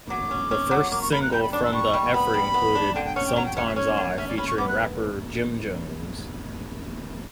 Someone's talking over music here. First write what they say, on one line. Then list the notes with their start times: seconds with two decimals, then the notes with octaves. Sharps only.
The first single from the effort included "Sumtimes I" featuring rapper Jim Jones.
0.10 F#3 D6
0.31 C#4
0.51 C#4
0.71 F#3
0.92 A#3 D6
1.02 C#6
1.12 A#3 B5
1.22 F#6
1.32 G3 G6
1.43 B5
1.53 D4 D6
1.63 E6
1.73 G3 C#6
1.93 G3
2.14 B3 B5
2.34 G3
2.54 B3
2.75 D4
2.95 D3 G5
3.05 G5
3.16 C#4 F#5
3.26 G5
3.36 F#3 A#5
3.46 G5
3.56 C#4 F#5
3.66 E5
3.76 C#4 C#5
3.97 D3
4.18 C#4 E5
4.28 D5
4.38 C#4 B5
4.48 C#6
4.58 B3 D6
4.69 F#6